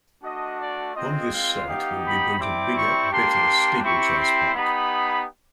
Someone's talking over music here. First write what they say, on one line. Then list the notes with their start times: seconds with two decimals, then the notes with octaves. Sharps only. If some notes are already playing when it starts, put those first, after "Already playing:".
On this site will be built a bigger, better, Steeplechase Park.
0.23 A3 D4 F#4 D#5
0.60 D5
0.95 G#3 C4 F4 D#5
1.32 F5
1.67 B3 D#4 G4
2.04 B5
2.39 G3 C4 E4 G4 D6
2.75 C#6
3.11 A#3 D4 G4 C6
3.84 C4 E4 G4 C#6
4.19 C6
4.55 B3 D#4 G4 B5